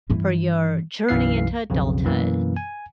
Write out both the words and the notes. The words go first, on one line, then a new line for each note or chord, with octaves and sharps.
for your journey into adulthood.
G2 E3
B1 F#2 E3 F5 C7
B1 F2 C#3
F#2 B2 E3 A#3
G#5